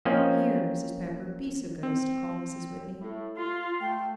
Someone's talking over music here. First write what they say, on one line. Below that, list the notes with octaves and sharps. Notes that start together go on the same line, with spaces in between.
"Here, Mrs. Pepper, be so good as to call Mrs. Whitney."
F3 A#3 C4 C#4 D#5
C4
A2
F4 C6
A3 G5